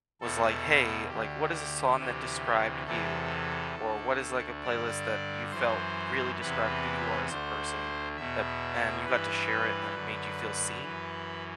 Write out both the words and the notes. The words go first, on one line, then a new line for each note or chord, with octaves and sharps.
was like, "hey, like what is a song that described you, or what is like a playlist that you felt really described who you are as a person," that and you got to share it and it made you feel seen?
E2 B2 A4
D2 D3 G4
D2 C3 E3
E2 C3 E3 A4
D2 D3
G2 D3 D5
F#2 E3 C5
E2 C3 E3 B4
D2 D3 C5
E2 B2 E5
G2 E3 B4
F#2 D3
F#2 E3